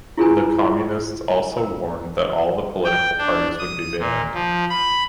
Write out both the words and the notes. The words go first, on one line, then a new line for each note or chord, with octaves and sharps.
The Communists also warned that all the political parties would be banned.
E4 F4 G#4 A4 B4 G#5
A#4
G5
D4
D#6
A#2
F3
B5